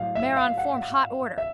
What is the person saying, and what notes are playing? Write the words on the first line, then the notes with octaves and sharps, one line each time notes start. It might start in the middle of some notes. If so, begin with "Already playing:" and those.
Mare on form hot order.
Already playing: A2 F#3 F5
E5
F5
F#5
E5